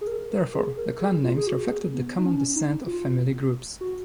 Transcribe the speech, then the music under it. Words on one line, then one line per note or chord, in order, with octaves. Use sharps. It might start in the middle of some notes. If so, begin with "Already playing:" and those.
Therefore, the clan names reflected the common descent of family groups.
G#4
A#4
A#4
G#4
A#4
G#4
F4
G#4
F#4
G#4
B3
D#4
C#4
D#4
F4
F#4